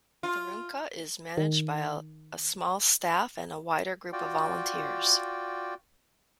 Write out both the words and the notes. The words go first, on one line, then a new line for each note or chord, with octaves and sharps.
"Tharunka" is managed by a small staff and a wider group of volunteers.
F4
D#3
F4 F#4 D5 G5